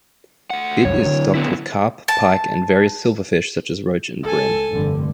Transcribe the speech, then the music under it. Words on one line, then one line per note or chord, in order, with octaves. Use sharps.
It is stocked with Carp, Pike and various silverfish such as Roach and Bream.
A3 F#5
C2 F#2 C#5
D3 F#3
A#2 B3 E4
A5
C#2 A4 G#5
F1 G2 D3